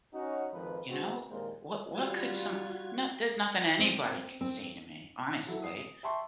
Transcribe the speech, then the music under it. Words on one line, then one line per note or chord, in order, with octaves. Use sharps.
you know, what what could some no, there's nothing anybody could say to me, honestly.
C#4 D#4 F#4
G#1 F2 D#3 F3 B4
B2 G#3 C4 F#4
A#1 D#2 A#2 G#3 C4 A#4
G3 F4 F#4 G#6
C4
C4
E3 F#3 E4 A4
D#6 C7
E5 G5 A5 C6 C#6